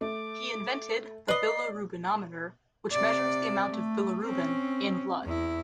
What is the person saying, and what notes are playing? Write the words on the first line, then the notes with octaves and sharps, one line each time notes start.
He invented the bilirubinometer which measures the amount of bilirubin in blood.
A3 D6
B4 D5 D#5 C7
C3 D5
A3
C4 C#4
E2 E4